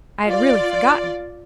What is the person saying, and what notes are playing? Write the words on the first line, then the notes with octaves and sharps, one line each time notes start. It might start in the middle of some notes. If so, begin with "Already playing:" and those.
I had really forgotten.
F4 D5